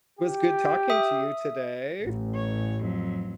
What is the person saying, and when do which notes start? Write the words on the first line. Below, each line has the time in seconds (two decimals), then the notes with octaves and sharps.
it was good talking to you today!
0.19 G4
0.90 E5 D#6
2.05 A1
2.35 C#5
2.80 F2 F#3